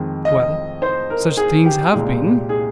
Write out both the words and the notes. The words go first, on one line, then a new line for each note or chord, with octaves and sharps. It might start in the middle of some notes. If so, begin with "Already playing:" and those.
"Well, such things have been."
Already playing: F2 D#3 G#3
D#5
C5
A#4
G#4
G4
C2 A#2 G#3
G#4